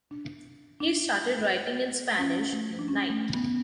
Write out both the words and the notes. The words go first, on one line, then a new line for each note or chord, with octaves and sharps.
He started writing in Spanish in "Night".
D4
D4
C#4
A3
D4
C#4
A3
B3